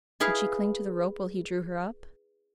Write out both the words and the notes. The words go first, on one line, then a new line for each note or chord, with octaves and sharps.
Could she cling to the rope while he drew her up?
E4 G#4 B4 F5